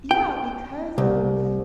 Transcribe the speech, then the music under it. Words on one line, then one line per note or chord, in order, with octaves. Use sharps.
Yeah, because of
G5
C2